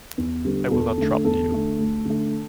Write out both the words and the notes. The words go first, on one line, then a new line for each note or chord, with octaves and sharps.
I will not trouble you.
E2
D3 G3 B3
E2 A4
D3 A3
E2 A4
D3 A3
D2
D3 A3